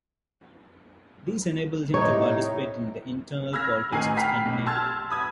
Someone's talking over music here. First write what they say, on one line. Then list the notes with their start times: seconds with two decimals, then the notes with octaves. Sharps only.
These enabled him to participate in the internal politics of Scandinavia.
1.94 A2 C3 D#4 C#5
3.53 B5 E6 F6 G#6 A#6
3.92 A1 D#3 G#5 A#5 C7
4.17 G5 A#5 B5 F6 B6 C7
4.45 B1
4.66 A5 C6 E6 F6 G#6 A6
5.10 B5 D#6 G#6